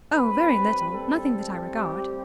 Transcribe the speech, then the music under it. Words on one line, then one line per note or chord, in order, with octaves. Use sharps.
"Oh! very little, Nothing that I regard."
A2 G3 C4 B4
A4
G4